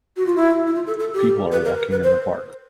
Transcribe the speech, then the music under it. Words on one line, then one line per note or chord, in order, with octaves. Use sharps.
People are walking in the park.
F#4
F4
E4
E4
F4
A4
A4
G4
B4
A#4
A#4
B4
C5